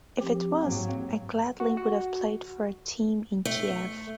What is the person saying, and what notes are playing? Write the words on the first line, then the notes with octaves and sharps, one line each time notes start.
If it was, I gladly would have played for a team in Kiev.
F3 C4 G4
G#2 F#3 A#3 C4
F#4
F#4
A3